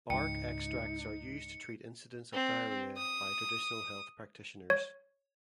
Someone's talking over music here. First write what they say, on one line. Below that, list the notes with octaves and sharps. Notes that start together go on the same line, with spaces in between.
Bark extracts are used to treat incidents of diarrhea by traditional health practitioners.
C#2 G#2 D#4 G5 C#7
C4
D#6
C#5